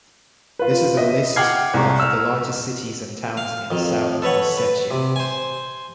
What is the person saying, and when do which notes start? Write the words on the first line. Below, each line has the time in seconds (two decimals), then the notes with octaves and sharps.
This is a list of the largest cities and towns in South Ossetia.
0.59 F4 B4
0.97 D#5 E5
1.36 F#5 G5 D6 F6 G#6 C7
1.74 C2 G#3 A#5 C#6
2.00 E6 F6
3.37 F5
3.71 F2 D#3
4.22 A4 B4 C#5 F#5
4.58 B4
4.91 C3
5.16 C5 G#5